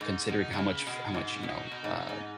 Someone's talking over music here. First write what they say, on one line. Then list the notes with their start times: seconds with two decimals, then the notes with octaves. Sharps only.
considering how much fu how much, you know, uh,
0.01 G#2 D#4
0.29 B2 D#4
0.53 B2 G#3
0.58 C#3 B3
0.87 B2 G#3
1.08 G#3
1.14 G#2
1.24 G#3
1.29 B3
1.43 B2
1.50 D#4
1.63 F#4
1.71 B2 D#4
1.84 G#2
2.00 D#4
2.09 G#2